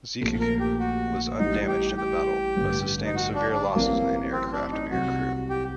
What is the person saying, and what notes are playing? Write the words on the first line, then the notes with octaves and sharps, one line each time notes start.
"Zuikaku" was undamaged in the battle, but sustained severe losses in aircraft and aircrew.
A#1 A#2 A3
A#4
G4
F#4
A1 A2 G3 D#4
G4
G4
A1 G2 D3
D#4
F#4
D4
D4
A1 A2 F#3 A#3 C4
C4
D4
D#4
C2 C3 F#3 F#4
G4